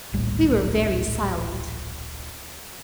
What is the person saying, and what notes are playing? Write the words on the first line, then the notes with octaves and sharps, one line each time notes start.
We were very silent.
D1 A#1 A2 G3